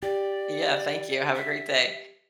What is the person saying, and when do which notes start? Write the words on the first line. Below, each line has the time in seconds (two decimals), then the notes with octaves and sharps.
Yeah, thank you, have a great day.
0.03 G4 D5
1.35 E5